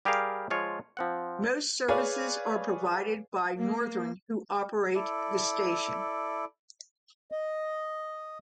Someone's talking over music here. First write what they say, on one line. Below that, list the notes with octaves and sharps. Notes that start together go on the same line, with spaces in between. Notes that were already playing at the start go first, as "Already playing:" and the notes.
Most services are provided by Northern who operate the station.
G3 G4 G#4 A#4 F5
F3 G#3 F4 C#5
F3 C4 F#5
G#4 B4 C#5 D5 F5 G#5
A#3
E4 A4 D5
D#5